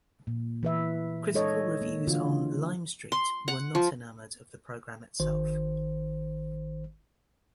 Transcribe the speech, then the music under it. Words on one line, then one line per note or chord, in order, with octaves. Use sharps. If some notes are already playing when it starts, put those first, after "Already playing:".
Critical reviews on "Lime Street" were not enamored of the program itself.
A#2
E3 B4 E5
G#3 D#4 A4 C#5 D#5
A#3
D3 E3 F4 F#4
C6
F#5
F3
G#1 D#3 C5